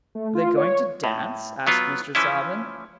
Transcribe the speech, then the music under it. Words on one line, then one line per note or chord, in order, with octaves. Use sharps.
"Are they going to dance?" asked Mr. Salvin.
A3
F4
C#5
A2
F#3 B3 F4
E3 F3 C#4 E4